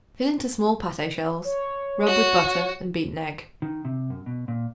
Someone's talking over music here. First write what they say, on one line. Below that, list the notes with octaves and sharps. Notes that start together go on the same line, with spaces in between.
Fill into small pate shells; rub with butter and beaten egg.
C#5
F#4
D#3
C3
F#2
B2
A#2